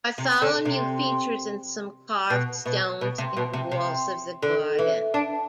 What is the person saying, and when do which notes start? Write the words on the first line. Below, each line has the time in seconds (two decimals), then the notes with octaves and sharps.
Bartholomew features in some carved stones in the walls of the garden.
0.18 C3
0.42 D3
0.65 C3
2.30 B2
2.66 B2
3.01 B2
3.18 C3
3.37 B2
3.53 C3
3.71 C3
4.42 D3
4.79 E3
5.14 D4